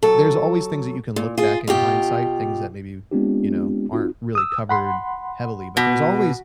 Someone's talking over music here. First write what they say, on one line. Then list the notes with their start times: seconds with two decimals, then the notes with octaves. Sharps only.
There's always things that you can look back in hindsight, things that maybe, you know, aren't really covered heavily, but there's always
0.03 F#3 A4
1.16 A#2
1.38 F4 G#4
1.67 B2 F4 G4
3.11 G#3 B3 C4 D4 F4 G4
3.92 C4 D#4 F4 F#4
4.35 D#6 E6
4.69 F#5 B5 C6
5.77 B2